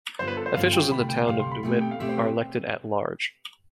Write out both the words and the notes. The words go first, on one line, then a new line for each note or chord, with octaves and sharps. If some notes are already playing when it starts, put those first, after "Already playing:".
Officials in the Town of DeWitt are elected at-large.
G2 D3 G3 B3 F4 C5
B4
A4
C5
G2 D3 G3 B3 F4 F5
G5
D2 C3 G3 B5
G5
D2 C3 G3 F5
C6
B5
B2 A3 C4 G4
G5
F5
B2 A3 C4 G4 E5
C5
B4